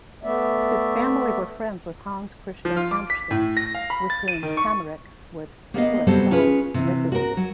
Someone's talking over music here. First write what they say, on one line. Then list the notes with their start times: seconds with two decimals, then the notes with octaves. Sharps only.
His family were friends with Hans Christian Andersen, with whom Hamerik would correspond regularly.
0.23 A3 B3 D5 E5
2.65 F3
2.76 F4
2.91 D6
3.10 B6
3.31 A2
3.57 A#6
3.75 F5
3.90 B5
4.10 A6
4.28 D#7
4.43 D#3
4.57 C#6
5.74 A#3 B3 A#4 B4 D#5 F5
6.07 C3 F#3 G3 B3 A4 C5
6.31 C#4 F4 G#4 B4
6.74 C3 E3
7.12 F#4 A#4
7.37 F#3